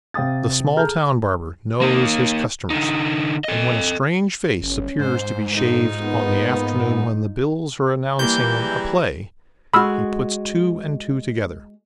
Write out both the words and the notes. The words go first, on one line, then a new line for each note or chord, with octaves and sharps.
The small-town barber knows his customers and when a strange face appears to be shaved on the afternoon when the bills are announcing a play, he puts two and two together.
C3 F5 G5 D#6 A6
G#4 A4 A5 A#5 F6 G6
A#3 D#4
D3 D#4
A4 D#5
G1 C#4
G#2 C5
B1 D3 D#4 F4
A#3 B3
E3 G3 A#3 E4 G6
G#4 A#5
G#3 F#4 B5 E6 F6